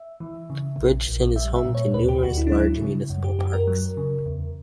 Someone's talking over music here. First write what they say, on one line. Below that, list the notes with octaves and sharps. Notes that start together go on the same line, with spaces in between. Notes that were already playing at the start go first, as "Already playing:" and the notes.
Bridgeton is home to numerous large municipal parks.
Already playing: E5
E3
C#3
A#1
A#1
G3 E5
E5
A#2
C#5
D2 B4
G4
D2 F#4
E4
D4
F#3 E4
C#3
F#2
G4
F#2 G4
A#4
F#3
C#3
E2